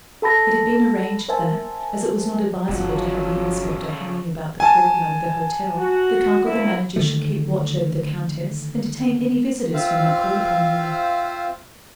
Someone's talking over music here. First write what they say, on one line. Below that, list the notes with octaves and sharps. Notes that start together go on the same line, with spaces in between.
It had been arranged that, as it was not advisable to have the inspector hanging about the courtyard of the hotel, the clerk or the manager should keep watch over the Countess and detain any visitors who might call upon her.
A4 A5 B5 A#6
A#4 C5 E5 G#5 A5
G1 C#3 F3 F#3 A3 F#5
G#5 A5
F#4
D2 A#3 E4
D3 D#3 A3
C4 F4 C5 E5 F5